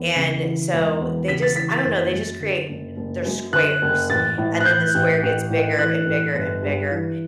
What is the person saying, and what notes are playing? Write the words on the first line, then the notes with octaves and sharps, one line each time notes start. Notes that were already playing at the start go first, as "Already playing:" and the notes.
And, so, they just I don't know, they just create they're squares, and then the square gets bigger and bigger and bigger.
Already playing: E2
C#3
E3
E1
E2
C#3 B6
A6
E3 B6
A6
F#1
F#2
D3
F#1
F#1
F#2
D3 F#6
F#1
A1 A6
A2
F#6
E3 G6
A1
A1
A2
E3 F#6
A1
G1
G2
E3